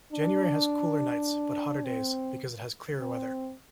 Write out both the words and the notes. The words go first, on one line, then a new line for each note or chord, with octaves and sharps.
January has cooler nights but hotter days because it has clearer weather.
D4
C4
C4